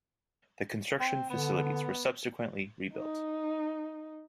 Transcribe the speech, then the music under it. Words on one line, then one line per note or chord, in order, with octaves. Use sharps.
The construction facilities were subsequently re-built.
C4
D3 B3
D#4